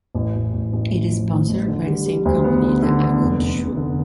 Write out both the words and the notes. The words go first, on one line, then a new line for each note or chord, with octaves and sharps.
It is sponsored by the same company, the Agon Shu.
A1
A1
A1
A1
A1
F3
A2
A1
D3
G3
G3
D2
B3
D3
D3
B3
F1
F1
F1
D3